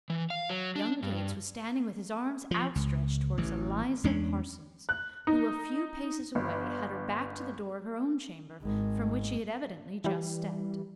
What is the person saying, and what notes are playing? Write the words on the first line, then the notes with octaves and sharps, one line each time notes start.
Young Gates was standing with his arms outstretched toward Eliza Parsons, who, a few paces away, had her back to the door of her own chamber, from which she had evidently just stepped.
E3
F5
F#3
D4
G2
F3
C#2
A1 E3
E2 G#3 C#4 D4
F#6
D#4
G1
G#1 G#3
E3 G3